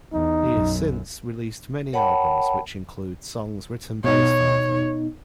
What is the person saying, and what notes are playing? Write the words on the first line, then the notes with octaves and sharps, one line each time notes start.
He has since released many albums which include songs written by his father.
E2 D#4
B1 F#2
A#4 C#5 F#5 G5 A5 B5
B2 D#4 C#5